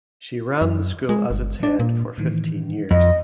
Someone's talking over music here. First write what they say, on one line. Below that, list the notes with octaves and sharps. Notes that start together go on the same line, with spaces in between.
She ran the school as its Head for fifteen years.
F#2
G#3
G1
D4
A#2
A2 D#3 E3
F2 D#5